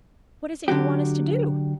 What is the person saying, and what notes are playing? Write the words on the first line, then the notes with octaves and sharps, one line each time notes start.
"What is it you want us to do?"
D3 F#3 F#4 G4